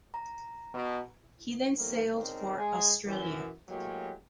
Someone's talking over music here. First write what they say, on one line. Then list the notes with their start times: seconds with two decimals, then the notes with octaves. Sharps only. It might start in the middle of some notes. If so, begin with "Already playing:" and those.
He then sailed for Australia.
0.14 A#5
0.74 B2
1.76 B1 G2 D#3 F3 A3 A#3
2.13 G#1 C#2 C4 D4 D#4 A#4
2.56 G#3 G#4
3.05 F#2 E3
3.69 A2 F#3 G#3 A#3 F#4 G4